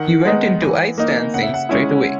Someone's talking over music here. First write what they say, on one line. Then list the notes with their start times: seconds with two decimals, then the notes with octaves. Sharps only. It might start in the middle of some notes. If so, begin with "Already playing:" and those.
He went into ice dancing straight away.
Already playing: D#3 F#5
0.25 G#3 B3 D#4
0.62 E3
0.98 A#3 D#4
1.34 C#3 F#5
1.43 E5
1.54 F#5
1.69 G#3 C#4 E4